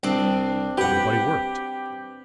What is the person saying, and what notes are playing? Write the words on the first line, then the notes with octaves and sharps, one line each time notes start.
Everybody worked.
C2 C4 D4
G4 B4 F#5